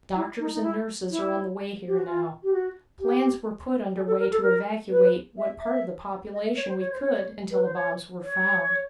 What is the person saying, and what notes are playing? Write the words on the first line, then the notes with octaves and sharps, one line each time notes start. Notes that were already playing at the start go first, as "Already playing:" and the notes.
Doctors and nurses are on the way here now. Plans were put under way to evacuate what part of the population we could until the bombs were found.
E4
D#4
D#4
E4
E4
G4
F#4
F4
G4
F#4
G4
G#4
A4
A#4
A4
A#4
B4
E5
E5
D#5
E5
C#5
C5
C#5
C5
C#5
B4
C5
C#5
C#5